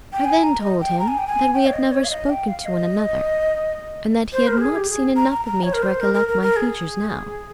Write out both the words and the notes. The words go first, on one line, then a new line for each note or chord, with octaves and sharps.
I then told him that we had never spoken to one another, and that he had not seen enough of me to recollect my features now.
G5
G#5
A#5
D#5
G5
A#5
G#5
G5
G#5
G5
C#5
D#5
C#5
F5
D#5
G5
F5
D#5
C5
A#4
G4
G#4
G4
G#4
A#5
A#5
A#5
C#5
A#4
C5
A#4
A#4
A#4
A#4
G#4